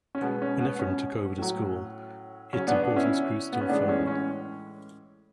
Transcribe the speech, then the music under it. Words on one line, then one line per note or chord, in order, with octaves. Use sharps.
When Ephrem took over the school, its importance grew still further.
C#4
B2 G#3 B3
C#4
B3
C#4
A2 F#3
C#3 F#3 C#4
B3 D4
B3 D4
C#4 E4
B3
C#4
A2 E3 G#3 B3 D4
C#4
C#4